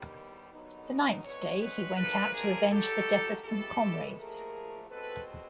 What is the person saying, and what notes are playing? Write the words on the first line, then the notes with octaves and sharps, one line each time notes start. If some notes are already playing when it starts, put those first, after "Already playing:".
The ninth day, he went out to avenge the death of some comrades.
Already playing: D#2 D#3 G3 B3
D#2 D3 F#3 B3 D#4
D3 F3 G#3 C4 B4 C#5
B4 C#5
C3 F3 A#3 D4 A4 B4
G#4 A#4
D#2 C#3 F#3 G4 A4
C#3 E3 G#3 B3 G4 A4
D#2 D3 F3 A3 G#4 A#4
B2 G#3 C4 A4 B4